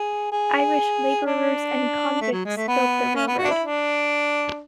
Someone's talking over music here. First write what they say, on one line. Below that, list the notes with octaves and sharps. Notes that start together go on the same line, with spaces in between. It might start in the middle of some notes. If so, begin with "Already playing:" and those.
Irish laborers and convicts built the railroad.
Already playing: G#4
G#4
D4
A3
F#3
G#3
A3
B3
C#4
B3
F#4
D4
E4
D4